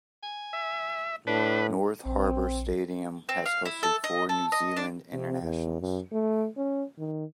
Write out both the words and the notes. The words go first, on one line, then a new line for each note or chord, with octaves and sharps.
North Harbour Stadium has hosted four New Zealand internationals.
G#5
E5
A2 D4 B4
A#1 C4
C4
F5
E4
A4
D#5
A4
D#5
D4
C3
E2
F#2
A3
C#4
D#3